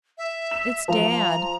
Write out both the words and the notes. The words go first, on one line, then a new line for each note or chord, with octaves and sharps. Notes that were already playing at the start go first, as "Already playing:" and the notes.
It's dad.
E5
E7
F3 A#5